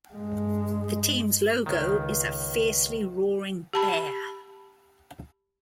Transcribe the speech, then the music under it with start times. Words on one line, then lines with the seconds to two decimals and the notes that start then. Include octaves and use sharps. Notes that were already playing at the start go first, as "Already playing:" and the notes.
The teams' logo is a fiercely roaring bear.
0.14 G2 G#3
1.66 C#2 D#3
3.73 G4 A5 B5